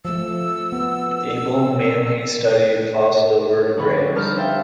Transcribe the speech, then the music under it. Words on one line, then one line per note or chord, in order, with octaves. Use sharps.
Abel mainly studied fossil vertebrates.
F3 A3 E6
B3
F2 D3 B4 C#5 G5 B5
D5
G3 D4 D#4 A5 F6 G6
C5 E5 F5 G5 A5